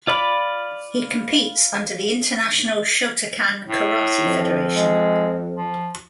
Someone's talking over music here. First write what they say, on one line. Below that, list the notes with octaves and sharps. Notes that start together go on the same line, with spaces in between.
He competes under the International Shotokan Karate Federation.
F4 D5 B5 D6
A2
F2
G#3
F3